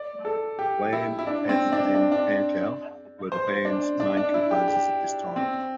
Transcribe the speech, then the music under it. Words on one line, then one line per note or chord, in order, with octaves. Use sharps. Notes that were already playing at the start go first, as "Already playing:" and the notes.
Lamm, Kath and Pankow were the band's main composers at this time.
Already playing: D5
A4
G4
E4
E4
D4
C4
D4
D4
D4
C5
D4
D4
D4
E4
G4
G4
C4